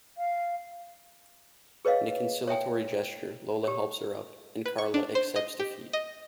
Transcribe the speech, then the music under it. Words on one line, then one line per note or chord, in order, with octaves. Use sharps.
In a conciliatory gesture, Lola helps her up, and Carla accepts defeat.
F5
G#4 B4 C#5 D#5 F5
C#5 E5 G5 G#5
G4 C#5
B4
C#6
D4
C5
D#5
G4
D#5